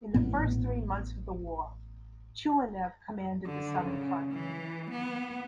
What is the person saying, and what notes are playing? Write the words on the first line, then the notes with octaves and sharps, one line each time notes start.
In the first three months of the war, Tyulenev commanded the Southern Front.
A1 A2 B3
D3
C#3
E3
B3